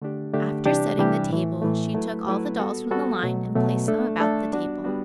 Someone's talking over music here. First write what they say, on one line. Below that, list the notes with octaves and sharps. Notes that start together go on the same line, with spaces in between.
After setting the table she took all the dolls from the line and placed them about the table.
D3 A3 D4 G4
D3 A3 D4 G4
C3 E3 G3 D4 G4
C3 E3 G3 D4 G4
A2 E3 A3
A2 E3 A3
F#3 A3 E4 B4
F#3 A3 E4 B4
G3 B3 F#4 A4
G3 B3 F#4 A4
B2 F#3 A3
B2 F#3 A3
A3 D4 A4
A3 D4 A4
G3 B3 D4 F#4
G3 B3 D4 F#4